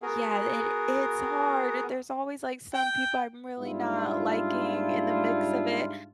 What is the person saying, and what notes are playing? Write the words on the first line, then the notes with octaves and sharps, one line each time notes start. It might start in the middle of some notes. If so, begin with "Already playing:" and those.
Yeah, th it it's hard, it there's always, like, some people I'm really not liking in the mix of it.
B3 F#4 G#4 A#4
G5
G#2 G3 D4 E4 F4